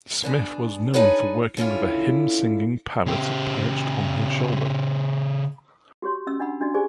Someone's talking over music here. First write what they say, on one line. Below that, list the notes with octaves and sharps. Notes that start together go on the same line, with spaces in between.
Smith was known for working with a hymn-singing parrot perched on her shoulder.
B2 D4 G#4
D4 D#4 G#4 B4 C#5 D5
D3 C#4 E4 F4
C#3 G4
F#4 G4 C#5 C6
C#4 D#5 E6
D4 D#5 F#5 B5 E6
D4 F#4 D5 D#5
G4 G#4 C5 D5 G#5